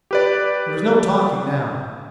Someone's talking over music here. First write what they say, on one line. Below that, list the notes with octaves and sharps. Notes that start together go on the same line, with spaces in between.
There was no talking now.
G4 B4 D5